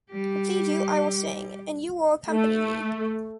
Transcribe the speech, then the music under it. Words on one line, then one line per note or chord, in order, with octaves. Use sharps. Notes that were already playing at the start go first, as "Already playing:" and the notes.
To please you, I will sing, and you will accompany me.
G3 G4
A3